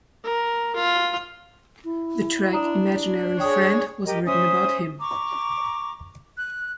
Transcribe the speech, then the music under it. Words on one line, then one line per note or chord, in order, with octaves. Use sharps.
The track, "Imaginary Friend", was written about him.
A#4
F4
E4
D4 A#5 D#6 E7
G#4 C#5 G5 D#6
G4 A#4 D#5
C#4 C5 E5 D#6
A#5 C#6 D6
F#6